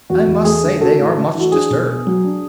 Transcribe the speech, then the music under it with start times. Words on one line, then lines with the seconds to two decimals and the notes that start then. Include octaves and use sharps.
"I must say they are much disturbed."
0.10 E2 F#4
0.27 E2
0.44 A3 G#4
0.63 D3
0.81 D4 F#4 A4
0.99 A2
1.17 A3
1.35 E3 F#4
1.52 D4 G#4
1.70 B2
1.88 B3
2.07 F#3
2.25 D4